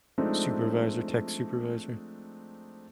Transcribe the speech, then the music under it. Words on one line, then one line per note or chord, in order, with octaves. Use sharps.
Supervisor tech supervisor.
F3 G#3 A3 C4 D4 D#4